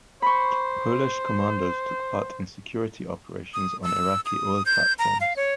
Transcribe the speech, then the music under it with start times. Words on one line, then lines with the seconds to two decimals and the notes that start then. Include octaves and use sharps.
Polish commandos took part in security operations on Iraqi Oil Platforms.
0.22 C5 B5 C#6
3.54 D#6
3.83 E6
4.26 D#6
4.66 G6
4.99 A#5
5.21 F5
5.36 C#5